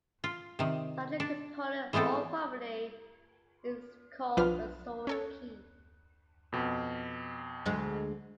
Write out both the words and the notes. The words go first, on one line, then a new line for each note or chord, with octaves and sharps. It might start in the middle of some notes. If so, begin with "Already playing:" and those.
Such a component or property is called a sort key.
F4
C3 D#3
D4
E3 G#3 B3 C4 A4
B1 F3 D4 F4 B4 F6
C#4 A4 C#5
F2 B2
D2 G#3